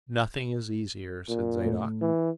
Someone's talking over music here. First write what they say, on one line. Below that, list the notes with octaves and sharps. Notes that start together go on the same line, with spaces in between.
"Nothing is easier," said Zadok.
A#2
A2
E3